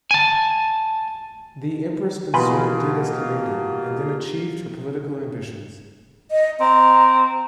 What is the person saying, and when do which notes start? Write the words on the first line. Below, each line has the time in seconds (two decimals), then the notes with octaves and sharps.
The Empress Consort did as commanded, and then achieved her political ambitions.
0.11 G#5 A5
2.34 B2 E3 A#3 F4 G4 G#5 B5 C6
6.31 D#5
6.60 C4 A#5